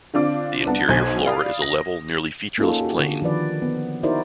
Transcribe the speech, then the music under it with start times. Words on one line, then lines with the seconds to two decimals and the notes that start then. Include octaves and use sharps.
The interior floor is a level, nearly featureless plain.
0.14 D3 C4 D4 F4 D6
0.66 C2 B3 D4 F#5 A5
0.89 B1 B2 C5 G#5 G#6
1.26 D5 F5 B5 D#6
1.62 A#6
2.58 A#3 C#4 D#4 F4 A4
2.81 F#4 G4
3.00 D3
3.22 D#3 F3 B4 D5
3.62 B3
4.03 D#4 E4 F#4 A#4 C5 D5